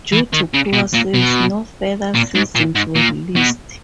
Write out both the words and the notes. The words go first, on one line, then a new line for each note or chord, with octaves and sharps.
Due to poor sales, no further seasons were released.
E3
D#3
C#3
B2
A#2
B2
A#2
G#2
A#2
G#2
A#2
B2